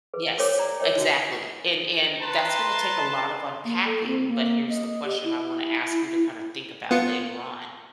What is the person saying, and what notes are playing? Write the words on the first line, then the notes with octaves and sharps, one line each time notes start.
Yes, exactly, and and that's gonna take a lot of unpacking, but here's the question I wanna ask you to kinda think about later on.
G#4 B4
G#4 A#4 C5 C#5 G5 D6
D5 A#5
A#4 C#5 D#5 G5
D#4 F#4
B4 A5 A#5 C6
A#3
A4
C4
A#3
D#5
G4
E4
B3 F4 C#7